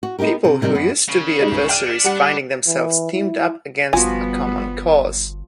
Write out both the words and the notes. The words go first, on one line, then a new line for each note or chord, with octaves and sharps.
People who used to be adversaries finding themselves teamed up against a common cause.
F#4
B3 D#4 E4 G4 A#4
C3
C3 D#3 G3
F#2 B3
C#3
G3 G#3 D#4
C#2
D4 G5 F6 D#7
B6 C#7
G3 F#5 C#7
E3
E4
G1 F3 G3 B3 F#4 G#5